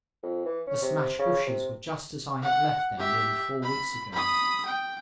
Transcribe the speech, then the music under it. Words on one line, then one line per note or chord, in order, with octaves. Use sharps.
The smashed bushes were just as I had left them nearly four weeks ago.
F2
E3
C#4
C3
C#3
C3
F#5
G4 E5
B5
B5 D#6
G5